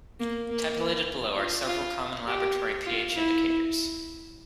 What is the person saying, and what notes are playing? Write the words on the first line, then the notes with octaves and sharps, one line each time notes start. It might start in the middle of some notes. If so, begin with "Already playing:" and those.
Tabulated below are several common laboratory pH indicators.
A#3
A#3
F4
F4
G4
F4
E4